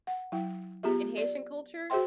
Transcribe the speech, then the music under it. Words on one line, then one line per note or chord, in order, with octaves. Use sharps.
in Haitian culture,
F#5
F#3 E4 G5
B3 F4 G4 G#4 E5
D5
F#4 G#4 C5 E5 G5 C6